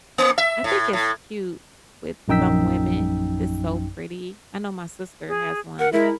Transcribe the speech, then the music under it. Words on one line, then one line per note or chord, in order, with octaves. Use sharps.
I think it's cute with some women, it's so pretty. I know my sister has one,
A#3
E5
A2
A2
A#1 F#2 D#4 G5 E6 B6
G#4
A#4 F#5
G#3 E4 A#4 E5 B5